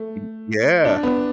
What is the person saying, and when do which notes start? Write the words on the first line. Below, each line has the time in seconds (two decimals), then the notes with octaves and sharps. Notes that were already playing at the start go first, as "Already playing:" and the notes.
Mm, yeah.
Already playing: A3
0.85 D4
1.03 B3